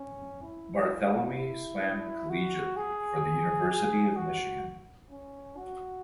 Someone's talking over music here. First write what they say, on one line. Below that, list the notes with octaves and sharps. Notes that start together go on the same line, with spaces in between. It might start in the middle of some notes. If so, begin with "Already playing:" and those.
Barthelemy swam collegiately for the University of Michigan.
Already playing: C#4
E4
E4
F#4
G#4
G#4
F#4
C#4
F#4